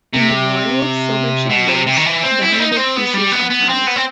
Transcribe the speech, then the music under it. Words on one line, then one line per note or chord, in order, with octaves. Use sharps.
In the Royal Silver Chambers, valuable pieces are housed.
C3
B2
C3
C3
D#3
E3
C4
E4
C4
D#4
D#4
C4
B3
G3
B3
B3
C4
B3
C4